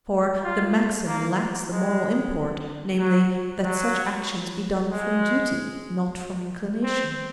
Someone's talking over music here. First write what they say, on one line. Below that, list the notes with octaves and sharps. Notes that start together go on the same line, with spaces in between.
For the maxim lacks the moral import, namely, that such actions be done from duty, not from inclination.
F4
A#3
G#3
F#3
F#3
G#3
C4